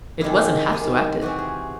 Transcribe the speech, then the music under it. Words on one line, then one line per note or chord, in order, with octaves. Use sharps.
It wasn't half so active.
C3 D#3 G#3 E4
C3 D#3 G#3
C3 E3 C4 F#4
G#4